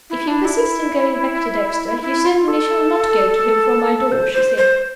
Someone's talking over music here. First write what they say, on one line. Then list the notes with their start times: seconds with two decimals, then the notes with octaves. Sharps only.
"If you persist in going back to Dexter, you certainly shall not go to him from my door," she said.
0.10 E4
0.28 D4
0.45 E4
2.02 E4
2.26 F4
2.48 A4
4.12 C5
4.34 C5
4.57 C5